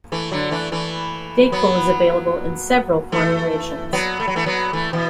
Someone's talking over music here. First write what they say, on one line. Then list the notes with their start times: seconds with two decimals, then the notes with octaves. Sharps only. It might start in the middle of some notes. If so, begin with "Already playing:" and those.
DayQuil is available in several formulations.
0.12 E3 A3
0.32 D3 F#3
0.51 E3 A3
0.72 E3 A3
1.52 F#3 B3
3.12 E3 A3
3.93 F#3 B3
4.20 A3
4.27 F#3
4.36 E3 A3
4.46 F#3 B3
4.73 E3 A3
4.93 B2 E3